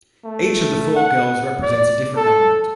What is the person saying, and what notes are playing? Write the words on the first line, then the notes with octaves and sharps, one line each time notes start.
Each of the four girls represents a different element.
A3
F#5
D5
A4